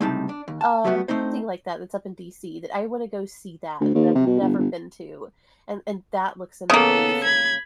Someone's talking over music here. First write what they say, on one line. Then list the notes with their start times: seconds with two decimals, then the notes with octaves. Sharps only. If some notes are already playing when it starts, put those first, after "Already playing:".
Uh, something like that that's up in DC that I wanna go see that, that I've never been to, and and that looks amazing.
0.01 C#2 A2 C3 G3 D#4 A5
0.29 D4
0.48 D#2
0.61 A5
0.84 F#3 G3 A3 B3 F#4
1.08 A3 C4 D#4 C5
3.81 D2
3.95 D#2
4.15 C3
4.26 B2
4.41 G1
4.58 G1
6.70 C#3 A#3 B3 A4
7.24 B5 G#6